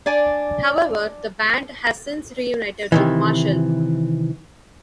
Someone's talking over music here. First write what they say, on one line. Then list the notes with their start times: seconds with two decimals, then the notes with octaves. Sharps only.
However, the band has since reunited with Marshall.
0.06 D4 D5 G#5
2.92 C3 D#3 E3